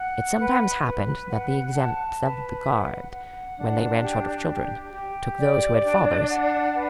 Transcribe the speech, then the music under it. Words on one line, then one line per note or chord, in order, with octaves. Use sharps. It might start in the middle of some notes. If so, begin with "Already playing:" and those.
It sometimes happened that the exempts of the guard, when they ran short of children, took those who had fathers.
Already playing: F#5
B4
B4
F#5
A5
B4
F#5
F#5
D4
G4
G4
G4
D5
D4
F#5
B4